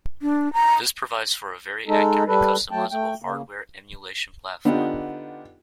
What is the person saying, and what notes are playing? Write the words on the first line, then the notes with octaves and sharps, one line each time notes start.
This provides for a very accurate and customizable hardware emulation platform.
D4
A#5
G#3 D#4 A4
G3 A4 B4
F#3 A3 G5 A5
A3 G5
C#3 A#3
D3 B3 D4 D#4 F4 G4